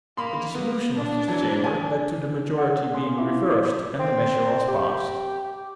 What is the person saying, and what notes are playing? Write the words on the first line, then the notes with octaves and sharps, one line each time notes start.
A dissolution of this Chamber led to the majority being reversed, and the measure was passed.
A#3 B5 C6
A#3 B3
D4
E3 F#3
G#5
F#5
A#3 C#4 C6
E4 F4 E5 F5 D6
C4
G4